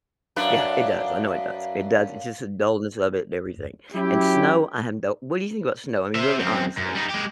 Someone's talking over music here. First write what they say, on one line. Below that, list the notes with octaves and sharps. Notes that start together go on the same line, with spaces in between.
Yeah, it does. I know it does. It does. It's just the dullness of it and everything. And snow, I have no What do you think about snow, I mean, really honestly?
F#2 D4 B4 F5
F#3 C#4 E4 G4
C5 E5
F#2 C4
F#2
G3 D#4
G#3 G4